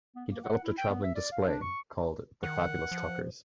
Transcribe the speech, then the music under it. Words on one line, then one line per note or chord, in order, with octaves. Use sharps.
He developed a traveling display called "The Fabulous Tuckers".
B3
A#3
F#5
E4
G5
B3
E5
D5
F5
D4
C#6
D#3 F#5
F3